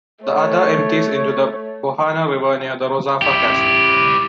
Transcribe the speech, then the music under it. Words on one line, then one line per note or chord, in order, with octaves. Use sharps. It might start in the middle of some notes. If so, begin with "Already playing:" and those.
The other empties into the Bojana River near the Rozafa Castle.
A3 C#5
E4 G4